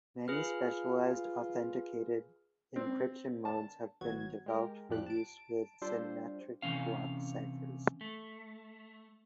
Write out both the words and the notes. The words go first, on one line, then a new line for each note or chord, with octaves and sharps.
Many specialized authenticated encryption modes have been developed for use with symmetric block ciphers.
F4 G#4 B4 F6
C4
A5
G#1 F#3 B3 F#4 G#6
G#3 G4 A#4
F2 A2 F3 G3 G4 F#6
A5 D7
G3 D4 F4 G4 A4 C5
C3 E3 A3 C#4 F5
A3